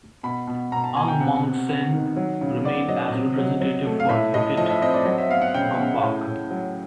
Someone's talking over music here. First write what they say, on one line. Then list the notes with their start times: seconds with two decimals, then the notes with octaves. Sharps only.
Ang Mong Seng remained as representative for Bukit Gombak.
0.23 B2 B5
0.47 B2
0.72 B2 A#5
0.84 A5
0.96 B2 G#5
1.08 G5
1.20 C3 F#5
1.44 C3
1.69 B3
1.93 D#3
2.16 F#3
2.41 C#3
2.65 B3 D5
2.88 F#3 D#5
3.13 C3
3.38 F#3
3.61 F#3
3.86 A3
4.00 F5
4.09 A2 E5
4.34 A2 D#5
4.57 F3 D#5
4.70 E5
4.82 C4 D#5
4.94 D5
5.05 F#3 D#5
5.18 E5
5.29 B3 F5
5.42 F#5
5.54 C#3 G5
5.78 C#3
6.02 A2
6.27 A2
6.51 F#3